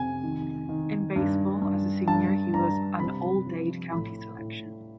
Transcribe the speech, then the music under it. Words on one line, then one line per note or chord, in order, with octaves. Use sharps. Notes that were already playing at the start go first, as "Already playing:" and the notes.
In baseball, as a senior, he was an All-Dade County selection.
Already playing: F2 C3 G#5
D#3
D#3
G2
G2
G2 A5
G2 A#5
C3 B5
F3
A2 B5
A2